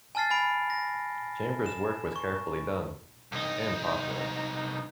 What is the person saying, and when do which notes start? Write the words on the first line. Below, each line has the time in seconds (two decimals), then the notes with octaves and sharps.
Chambers' work was carefully done, and popular.
0.15 G#5 A5 F6 A6 C7
0.31 G#5 B5 D7
0.70 A#6
1.66 E7
2.16 C#6
3.32 C2 D#4